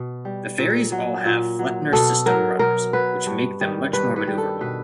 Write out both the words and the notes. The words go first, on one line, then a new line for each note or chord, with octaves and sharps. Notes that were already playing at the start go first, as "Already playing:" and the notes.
The ferries all have Fletner system rudders which make them much more manoeuvrable.
Already playing: B2
G3
A#2
F#3
A#2
F#3
B2 A4
F#3 A#4
B2 A#4
F#3 B4
G2
D#3 G3
G2 B4
B4
D#3 G3
A4
B2 B4